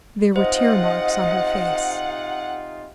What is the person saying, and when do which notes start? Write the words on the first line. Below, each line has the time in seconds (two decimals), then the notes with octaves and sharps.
There were tear-marks on her face.
0.36 C3 D#4 F4 C5 D#5 F#5